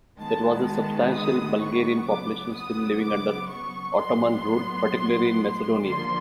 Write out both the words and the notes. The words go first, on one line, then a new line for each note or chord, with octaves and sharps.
There was a substantial Bulgarian population still living under Ottoman rule, particularly in Macedonia.
D#3 G#3 B3 A5
A5
D#6
C#6
C#3 F#3 B3 D6
D#6
D6
C#6
A2 F#3 B3 C6
D3 F3 A#3 C6